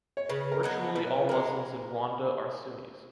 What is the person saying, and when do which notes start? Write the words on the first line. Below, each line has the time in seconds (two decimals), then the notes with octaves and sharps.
Virtually all Muslims in Rwanda are Sunnis.
0.17 C#5
0.29 C#3 B4
0.52 A#4
0.63 F#3 B3 D#4
0.95 B2 B4
1.29 G#3 B3 A#4